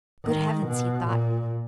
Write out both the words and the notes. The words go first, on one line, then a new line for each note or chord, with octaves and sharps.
"Good heavens!" he thought.
D#3
B2
A#2